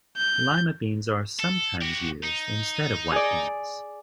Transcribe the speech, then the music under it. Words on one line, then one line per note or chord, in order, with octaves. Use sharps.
Lima beans are sometimes used instead of white beans.
G6
A4
F#4 G4
D#4
G#4 D5